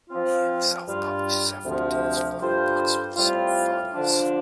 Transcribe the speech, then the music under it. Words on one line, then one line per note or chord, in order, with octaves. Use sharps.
He himself published several dance photo books with his own photos.
F3 C4 F4
G2 G3 F4
D2 C3 F3
G2 G3 F4 A4 C5
A2 G3 C4 F4
D3 F3 D4